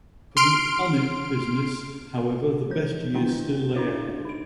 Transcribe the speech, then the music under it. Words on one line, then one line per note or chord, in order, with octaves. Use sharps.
For the Unic business, however, the best years still lay ahead.
C6 F6 D7
E3 F3 G6
D#3 G3 A#3 B3 D4 E4
G6
D4 E4 F#4 C#5
D#4 D7